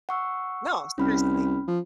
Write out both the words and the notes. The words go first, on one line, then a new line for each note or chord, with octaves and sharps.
No, seriously,
F#5 C#6 E6
C2 C#4 B5 F6
F3